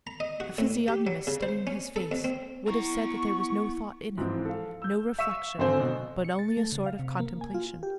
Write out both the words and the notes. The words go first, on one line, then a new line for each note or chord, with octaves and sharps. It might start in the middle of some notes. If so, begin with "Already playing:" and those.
A physiognomist studying his face would have said that there was no thought in it, no reflection, but only a sort of contemplation.
A#5
D#5
F#4
A2
G4
F#3
C#3
C5
C#4
A4
F2
C4
B3 E4 A#5 C#6
G#2 E3 F3 C4
A4 F5
E6 G6
E5 F5 C#6 E6 E7
G#1 D3 C4 A4 C5 G#5
B2
C#7
A6
A3
C#3
F5
C3
A#3
G#5
F4
G4